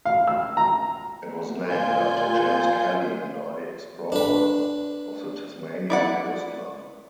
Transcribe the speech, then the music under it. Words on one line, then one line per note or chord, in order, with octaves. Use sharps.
It was named after James Kelly an early explorer of the Tasmanian coastline.
F5
E6
A#5
A#2 F4 G#5 G6
D4 B4
E4 D5 F#5